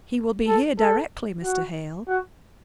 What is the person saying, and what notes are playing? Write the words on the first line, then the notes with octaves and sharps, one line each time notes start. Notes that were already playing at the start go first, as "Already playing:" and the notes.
He will be here directly, Mr. Hale.
A4
A4
F#4
F#4